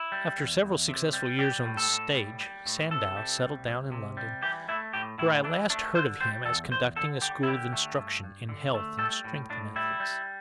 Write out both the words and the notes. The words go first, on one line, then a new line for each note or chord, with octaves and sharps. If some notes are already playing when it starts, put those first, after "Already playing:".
After several successful years on the stage, Sandow settled down in London, where I last heard of him as conducting a school of instruction in health and strength methods.
Already playing: E4
G3
E2
E2
C3
G3
G3 G4
A2
A4
A2
G3
G3
A2
C3 A4
G3
C2
C2
C3
G3
E3 G4
A3 E4
A2 G4
A2 E4
E3 D4
A3 D4
D3 C5
G3 C5
E2 A4
E2 C5
D3 A4
G3 G4
E4
D3 G4
A3
G2
G2
D3
A3
G3 A4
A2
A2 D4
G3 E4
G3